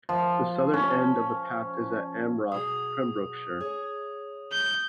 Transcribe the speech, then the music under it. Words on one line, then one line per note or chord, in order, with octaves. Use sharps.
The southern end of the path is at Amroth, Pembrokeshire.
F3
C#4
B2 F#3 G#4 D#6
G#4 C#5
G6